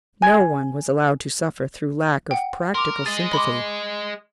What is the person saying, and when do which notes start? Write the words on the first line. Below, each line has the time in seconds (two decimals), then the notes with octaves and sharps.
No one was allowed to suffer through lack of practical sympathy.
0.22 G#5 G#6
2.31 F#5 G5
2.74 A#4 C6 D6
3.06 G#4 D#5 A6 D#7
3.33 B5 C6 D6